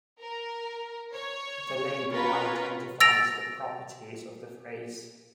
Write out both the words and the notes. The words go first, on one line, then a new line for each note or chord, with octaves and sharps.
The label identifies the properties of the phrase.
A#4
C#5
C#4 F4 A#4 B4
E6 A6 A#6 D7 F7